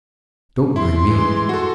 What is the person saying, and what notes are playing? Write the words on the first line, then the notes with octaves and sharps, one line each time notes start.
"Don't mind me."
E4 C6
E3 G#3
F#4 A4